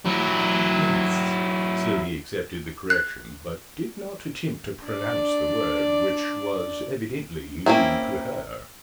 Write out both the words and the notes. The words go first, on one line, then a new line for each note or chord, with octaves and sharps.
"Yes." Sylvie accepted the correction, but did not attempt to pronounce the word, which was evidently new to her.
F#3 E4
F#6
D4 D5
A#3 C4 C#4 E4